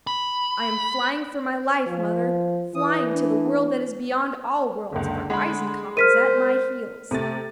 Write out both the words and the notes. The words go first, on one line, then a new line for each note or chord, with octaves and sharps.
'I am flying for my life, mother, flying to the world that is beyond all worlds, for Eisenkopf is at my heels.'
B5
F3
E3 D#6
D4
F#1 C#2 D3
G#3 F#5 G#5 B5 C6
A#4 C5 D#5 F6 B6 D#7
C3 A3 A6